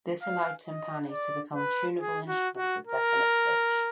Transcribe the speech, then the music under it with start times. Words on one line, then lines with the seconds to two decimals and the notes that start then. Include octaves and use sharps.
This allowed timpani to become tunable instruments of definite pitch.
0.22 F5
0.67 D#5
1.10 D5
1.55 B4
1.99 G#4
2.28 F#4
2.57 F#4
2.87 A#4